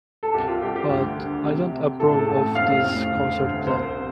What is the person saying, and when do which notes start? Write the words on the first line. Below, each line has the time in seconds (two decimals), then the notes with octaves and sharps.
But I don’t approve of this concert plan.
0.23 A4
0.33 C2 G4
0.47 F4
0.61 C2 G4
0.76 G4
0.89 D2
1.17 D3
1.44 C3
1.73 C3
2.00 A2 A4
2.19 A4
2.28 A1
2.55 F1 F5
2.83 F1
3.11 D2
3.38 D2
3.66 C2 C5
3.95 C3